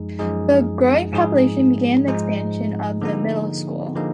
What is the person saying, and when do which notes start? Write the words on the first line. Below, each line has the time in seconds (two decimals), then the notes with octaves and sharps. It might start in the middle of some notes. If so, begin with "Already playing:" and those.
The growing population began the expansion of the middle school.
Already playing: F#2 F3 G#3 D#4 G#4
0.19 F#2 F3 G#3 D#4 G#4
1.13 G#2 F3 G#3 D#4 G#4
2.07 G#2 F3 G#3 D#4 G#4
3.01 D3 F3 A#3 D#4 G#4
3.95 D3 F3 A#3 D#4 G#4